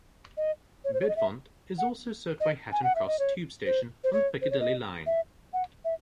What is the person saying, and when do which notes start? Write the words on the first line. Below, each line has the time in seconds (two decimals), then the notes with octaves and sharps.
Bedfont is also served by Hatton Cross tube station on the Piccadilly line.
0.37 D#5
0.85 C#5
0.94 C5
1.01 C#5
1.08 D#5
1.16 E5
1.78 F#5
2.40 D#5
2.72 G#5
2.83 F#5
2.95 E5
3.07 D#5
3.19 C#5
3.66 C5
4.04 C5
4.13 C#5
4.42 C5
4.51 C#5
4.60 D#5
5.06 E5
5.53 F#5
5.85 E5